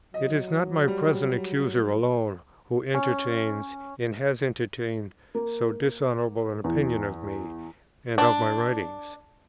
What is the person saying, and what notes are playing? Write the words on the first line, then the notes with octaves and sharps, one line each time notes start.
It is not my present accuser alone who entertains, and has entertained, so dishonourable an opinion of me and of my writings.
F#3 D#5
G3
C#4
A#3
E2
D4